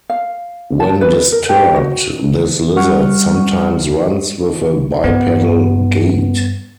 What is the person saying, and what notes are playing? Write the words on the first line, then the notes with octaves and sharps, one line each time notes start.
When disturbed this lizard sometimes runs with a bipedal gait.
F5
A5
B4
A#4
G4
F#4
G3 F#5 C#6 F6
G2 B3